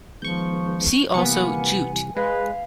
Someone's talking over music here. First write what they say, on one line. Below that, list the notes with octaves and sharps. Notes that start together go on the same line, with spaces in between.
See also Jute.
D#3 F3 G#3 B3 C#6 G6
C3 E3 G3 A#3 B3 G#5 C#7
G#3 B4 F5